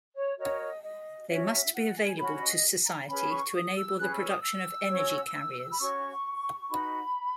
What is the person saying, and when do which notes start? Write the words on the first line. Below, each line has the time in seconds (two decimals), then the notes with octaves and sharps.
They must be available to society to enable the production of energy carriers.
0.14 C#5
0.36 F#4 A#4 C#5 D#5
0.82 D#5
1.27 C#4 F#4 C#5 E5
1.42 D#5
1.49 E5
1.72 F#5
1.95 G#5
2.17 C#4 F#4 C#5 B5
2.32 C#5
2.39 D#5
2.85 A#5
3.07 C#4 G#4 B4 B5
3.30 C#6
3.53 D#6
3.75 E6
3.98 C#4 G#4 B4 F#6
4.12 E6
4.26 D#6
4.39 E6
4.88 C#4 F#4 C#5
5.71 B5
5.79 C#4 F#4 C#5 C#6
6.68 D#4 F#4 B4 B5